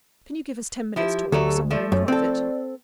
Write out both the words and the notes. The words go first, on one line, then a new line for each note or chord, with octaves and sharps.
Can you give us ten minutes' talk, somewhere in private?
F3 E4 G4
D2 F#3 A3 A4
F3 A3 D5
F#2 C#5
C4 A4 D5